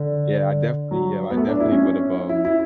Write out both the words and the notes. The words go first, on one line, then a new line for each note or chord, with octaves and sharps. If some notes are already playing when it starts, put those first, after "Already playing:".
yeah, I definitely yeah, I definitely would've, um
Already playing: D3
F#3
B3
A3
D4
E4
C#4
C#4
E4
E4